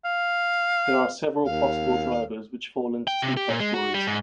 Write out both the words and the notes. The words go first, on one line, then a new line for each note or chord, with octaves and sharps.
There are several possible drivers, which fall into two categories.
F5
D#2 F5
G5
C3
G4
A#2
G#3
F#4
G3
G#2